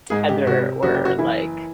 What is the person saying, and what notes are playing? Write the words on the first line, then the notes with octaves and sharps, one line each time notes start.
tether or, like,
G#2 G#4
G4
C3 F#4
F#1 F#4
G4
F#4
E3 E4